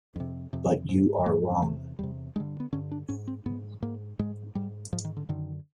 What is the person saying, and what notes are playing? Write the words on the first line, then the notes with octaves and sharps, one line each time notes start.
But you are wrong.
F2 C3
F2 C3
G#2
G#2 A#3
E2 C3 A3
E2 C3 G3
G2 D3 G#3
B3
G2 D3 C#4
D4
G#2 C#4
C4
G#2 B3
G#2 A#3
G#2 G#3
G#2 G3
G#2 F3
D#3
D3
F#2 D3 D#3